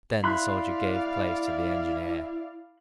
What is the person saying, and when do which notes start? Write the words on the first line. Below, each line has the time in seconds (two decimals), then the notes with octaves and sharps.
Then the soldier gave place to the engineer.
0.24 E4 D5 F5 B5 C6 F#6